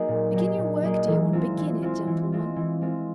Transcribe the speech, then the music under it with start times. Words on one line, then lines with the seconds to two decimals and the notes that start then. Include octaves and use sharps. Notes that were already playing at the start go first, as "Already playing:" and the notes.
Begin your work, dear one, begin it, gentle one!...
Already playing: F#3 A#3 D#4 G#4
0.08 A#2
0.33 F#3 A#3 D#4 G#4
0.58 A#2
0.83 F#3 A#3 D#4 G#4
1.08 E3
1.33 G#3 C4 F4
1.58 E3
1.82 G#3 C4 F4
2.07 E3
2.32 G#3 C4 F4
2.56 E3
2.81 G#3 C4 F4